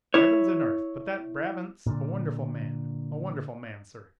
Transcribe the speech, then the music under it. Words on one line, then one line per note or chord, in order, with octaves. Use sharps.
Heavens and earth, but that Braham's a wonderful man--a wonderful man sir!
E4 C#5
A#2 D3